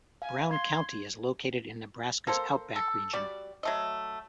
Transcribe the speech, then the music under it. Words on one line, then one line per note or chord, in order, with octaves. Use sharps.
Brown County is located in Nebraska's Outback region.
F5 G#5
C6 G#6
A#3 A4 C5
A4
G3 F#4 D5
F#3 A3 D#5